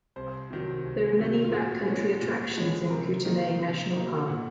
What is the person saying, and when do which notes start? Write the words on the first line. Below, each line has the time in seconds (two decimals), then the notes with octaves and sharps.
There are many back country attractions in Kootenay National Park.
0.16 C2 C5
0.50 C3 D#3 F#3
0.85 C2
1.19 C3 D#3 F#3
1.44 F4
1.54 A#2 F#4
1.88 F3 G#3 C#4
2.22 A#2
2.57 F3 G#3 C#4
2.90 C3 A#4
3.25 D#3 F#3 A#3 D#4
3.59 C3
3.94 D#3 F#3 A#3 D#4
4.28 A#2 F#5